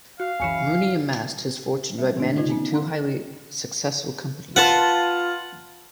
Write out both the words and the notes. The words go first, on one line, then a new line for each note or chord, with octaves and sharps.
Rooney amassed his fortune by managing two highly successful companies.
F#4 F5
C#2 F#2 E3 G#5 C#7
G3 C#4 E5
G#2 B2 D#3 A3 A#3 D4
D3 D#4 F4 D#5 G#6
B3 C#4
F5 F#5 A#5 C6
F4 B4 F#5 A5 C6